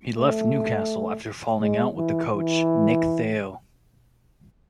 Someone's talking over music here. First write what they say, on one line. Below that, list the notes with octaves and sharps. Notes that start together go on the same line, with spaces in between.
He left Newcastle after falling out with the coach Nick Theo.
A3
G#3
E3
E3